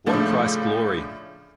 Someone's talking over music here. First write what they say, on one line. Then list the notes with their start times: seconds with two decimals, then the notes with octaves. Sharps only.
What Price Glory?
0.06 A2 C#3 F3 A3 D4